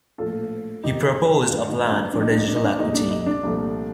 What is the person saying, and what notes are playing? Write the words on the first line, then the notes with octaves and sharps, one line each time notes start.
He proposed a "Plan for Digital Aquitaine".
A#1 A2 F3 F4 A4
G1 F2 D#3 G3 D#4 G4
A1 G2 D#3 D4 F4
D#4
D4 F4
C2 A#2 F3 D4
D#4
D4
D#4
D4
D#4
D4
C2 A#2 A3 D#4
D4
D#4
D4
C2 A#2 F3 A3